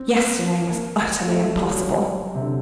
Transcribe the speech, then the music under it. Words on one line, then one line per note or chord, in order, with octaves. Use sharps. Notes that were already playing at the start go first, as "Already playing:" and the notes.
Yesterday was utterly impossible.
Already playing: C4
A#3
A#3
A3
G3
F#3
C3
D3